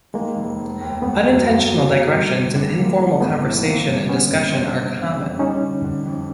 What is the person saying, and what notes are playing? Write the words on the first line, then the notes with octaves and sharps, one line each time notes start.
Unintentional digressions in informal conversation and discussion are common.
D#3 G#3 A#3
F1
F1
D#2
G1 A3 B3
F#2
F#2 A3 B3
F#3
F#3
G2
D3
D3
G3 G#3 A#3
E3
G#1 A3 B3
E3
D3 A#3 C4
G2
D3 B3 C#4
G2
G1 C4 D4
C#3
G1
F2
G3 C#4 D#4
D3
D3
F2